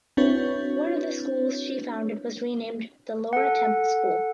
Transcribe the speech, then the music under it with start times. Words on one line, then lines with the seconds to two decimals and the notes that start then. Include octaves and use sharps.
One of the schools she founded was renamed the Laura Temple School.
0.17 C4 D4 E4 F#4 B4 C#5
3.33 A4 F#5